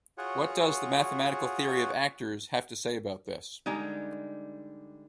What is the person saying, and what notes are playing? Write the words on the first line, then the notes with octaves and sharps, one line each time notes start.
What does the mathematical theory of Actors have to say about this?
F4 F#4 G#4 C#5 F#5
D3 G3 G#3 D#4